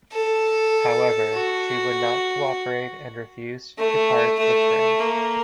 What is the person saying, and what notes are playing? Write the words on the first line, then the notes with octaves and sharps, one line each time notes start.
However, she would not cooperate and refused to part with Frank.
A4
F#4
A3
A3
A#3